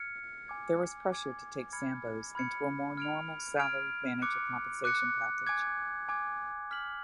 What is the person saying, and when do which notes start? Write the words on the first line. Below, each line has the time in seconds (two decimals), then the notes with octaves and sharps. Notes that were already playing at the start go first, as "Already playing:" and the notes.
There was pressure to take Sambo's into a more normal salaried manager compensation package.
Already playing: F6 G#6 C#7
0.48 G#5 D6 G#6
1.10 G#5 D6 G#6
1.73 B5 F6 G#6 C#7
2.35 B5 F6 G#6 C#7
2.97 F6 G#6 D7 F7
3.59 F6 G#6 D7 F7
4.22 D6 F#6 C#7
4.84 D6 F#6 C#7
5.47 G#5 D6 G#6
6.09 G#5 D6 G#6
6.71 F6 B6 F#7